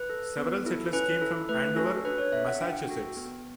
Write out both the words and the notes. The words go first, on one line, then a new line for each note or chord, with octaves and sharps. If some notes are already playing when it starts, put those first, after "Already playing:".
Several settlers came from Andover, Massachusetts.
Already playing: B4
A4
B3
E4 A4
C#4 B4
E4 A4
A3 B4
C#4 F#4 A4
D4 B4
C#5
A4 E5
F#5
D4 G5
F#4 A4
B3